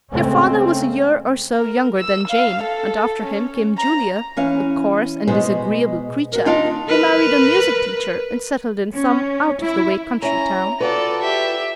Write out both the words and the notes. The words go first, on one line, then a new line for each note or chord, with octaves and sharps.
Your father was a year or so younger than Jane, and after him came Julia, a coarse and disagreeable creature who married a music-teacher and settled in some out-of-the-way country town.
C#3 G#3 A3 C4 C#4
A#4
E6
F5
A4
C#4
A#5
E3 C#4 F5
B2 G#3 B3 G#4 C5
F#4 A#4
D#2 D4 D#4 F4 F5 A5
A#4 B4
C#4
E4
C#4 E4 A#5
F4 F#4 A4 B4 D5
G4 E5